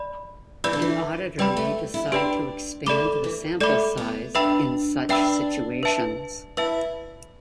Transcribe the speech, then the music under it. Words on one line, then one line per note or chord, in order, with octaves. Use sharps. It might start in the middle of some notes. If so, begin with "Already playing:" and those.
An auditor may decide to expand the sample size in such situations.
Already playing: D5 B5
E3 D5 B5 E6 G6
D3
E3
G3 G4 B4 D5 G5 B5
A3
E4
D4 G4 B4 D5 G5 B5
A3 A4 D5 B5 D6
E3
A3 A4 D5 B5 D6
B3
D4 B4 E5 G5 B5 E6
D4 B4 E5 G5 B5 E6
B4 E5 A5
E4 B4 E5 A5